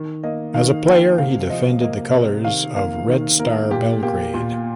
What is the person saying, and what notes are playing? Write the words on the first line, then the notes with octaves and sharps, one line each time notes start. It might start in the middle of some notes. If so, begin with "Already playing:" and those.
As a player, he defended the colours of Red Star Belgrade.
Already playing: D#3
A#3 D#5
D#3 F5
A#3 G5
C3 F5
F3 D#5
A#3 D#5
C3 D#5
D#3 F5
A#3 F5
D#3
A#3 A#4
A#2 G4
A#3 G4
A#2 F4